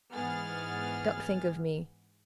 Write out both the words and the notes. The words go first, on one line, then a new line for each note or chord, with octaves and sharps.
Don't think of me.
G#2 E3 B3 G#4 F6 A6